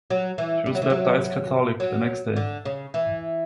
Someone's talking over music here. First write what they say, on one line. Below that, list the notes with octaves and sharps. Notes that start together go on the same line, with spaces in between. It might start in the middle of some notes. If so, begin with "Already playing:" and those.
She was baptized Catholic the next day.
F#3
E3
G3
F#3
E3
F#3
F#3
D3
C#3
E3